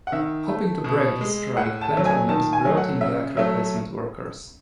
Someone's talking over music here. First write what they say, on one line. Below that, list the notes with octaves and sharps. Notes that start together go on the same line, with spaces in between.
Hoping to break the strike plant owners brought in black replacement workers.
F#5
D#3 E5
A3
B2
G#3
A2 F#5
A5
F#3 A3
G#5
D#3 A5
G#5
F#3 A3
F#5
C#3 E5
F#3 A3 E5